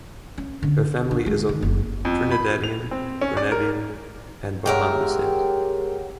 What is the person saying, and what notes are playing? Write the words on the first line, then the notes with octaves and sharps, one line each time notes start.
Her family is of Trinidadian, Grenadian, and Bajan descent.
C#4
D3
D4
G#3
D#3
F#1
F2
B5
F7
C4
C#4
D5
A#4
G#3 G4 A#4 C#5 E5 F#5 G5